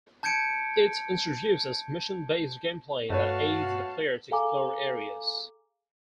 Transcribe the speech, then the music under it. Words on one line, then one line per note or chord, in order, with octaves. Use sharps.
It introduces mission-based gameplay that aids the player to explore areas.
A5 G6 G#6 C#7 D7
G2 A3 F#4 B4 C#5 F5 A5
G#4 A4 F5 G#5 A#5 D6